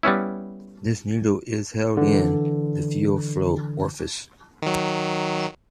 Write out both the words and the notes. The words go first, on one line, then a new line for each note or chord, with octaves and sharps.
This needle is held in the fuel flow orifice.
G3 B3 C#4 E4
D3 E3
D#3 F#3